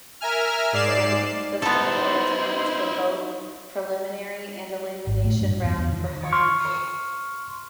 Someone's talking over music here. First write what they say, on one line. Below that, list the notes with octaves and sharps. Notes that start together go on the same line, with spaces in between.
The ranking system awards points for both preliminary and elimination round performances.
A#4 E5 G#5 F6
G#2 D5 C7 E7
B3 D#4 E4 A4 C5
G#1
A2
G2
E2
E2
D#3
C6 C#6 F6